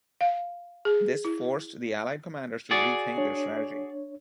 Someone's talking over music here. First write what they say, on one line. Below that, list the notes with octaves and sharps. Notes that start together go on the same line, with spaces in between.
This forced the Allied commanders to re-think their strategy.
F5
G#4
E4
F#4 G#4 D5
D4 C#5